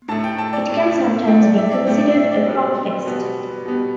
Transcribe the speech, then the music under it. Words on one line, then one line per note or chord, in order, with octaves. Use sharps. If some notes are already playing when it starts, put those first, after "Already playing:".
It can sometimes be considered a crop pest.
A2 A3 A5
G5
A5
D5
A2 A3
A2 A3 G5
D5
E5
D5
A2 A3 G5
E5
D5
B2 G3 B3
B2 G3 B3
B2 G3 B3